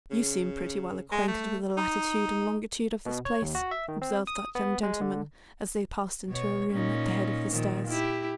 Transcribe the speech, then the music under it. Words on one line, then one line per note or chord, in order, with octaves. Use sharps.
"You seem pretty well acquainted with the latitude and longitude of this place," observed that young gentleman, as they passed into a room at the head of the stairs.
C#3
G#3
A3
D#4
B2
C#5
D#2
F#4
E5
D#3
C4
D#6
B3
G#3
D3
B2 C#5
A#2 C#4 D#4
A#2 D#3 F3
E4 G4